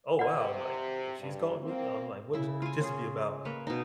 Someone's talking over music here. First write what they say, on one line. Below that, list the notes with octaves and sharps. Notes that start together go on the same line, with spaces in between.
"Oh, wow." like, uh, "She's calling me?" and I'm like, "What th this be about?"
C3 D5 F#5
G2
A#3 C4
C#3 E4
F4 G#5
C#4 G#4
A#3 B4 C#5
B2 D#4